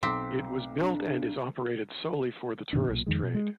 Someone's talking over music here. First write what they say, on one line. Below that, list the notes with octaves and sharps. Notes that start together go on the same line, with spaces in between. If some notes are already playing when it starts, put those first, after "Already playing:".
It was built and is operated solely for the tourist trade.
B1 C4 D6 B6
D4
G2 B2 D#3 D4
B1 A#2
F2 D#3 G#3
B2
G#3